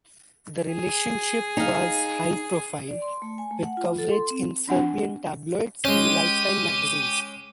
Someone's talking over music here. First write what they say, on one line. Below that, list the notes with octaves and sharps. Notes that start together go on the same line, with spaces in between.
The relationship was high profile with coverage in Serbian tabloids and lifestyle magazines.
G#4
D#4 F5
D5
C6
A3
G#5
A3
F#5
F4
A4
C6
C4
C4 D4 F#5 G#5
G#3 C#4 G4 D#7